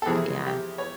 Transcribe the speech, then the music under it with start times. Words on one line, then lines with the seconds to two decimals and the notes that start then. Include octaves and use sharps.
But, yeah.
0.02 A4
0.06 F2 C3 E3 G#4
0.46 G4
0.78 C#5